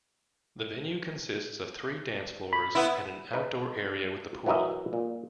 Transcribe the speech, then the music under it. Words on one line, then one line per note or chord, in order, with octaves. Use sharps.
The venue consists of three dance floors and an outdoor area with a pool.
B5
B3 E4
D#4 B4
E3 F#3 A#4 D#5 E5
A#2